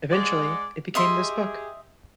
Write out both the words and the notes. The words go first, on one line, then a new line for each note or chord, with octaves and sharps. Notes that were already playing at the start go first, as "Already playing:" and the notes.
Eventually it became this book.
G#3 D5 F#5
G4 G#4 D#5 E5 C6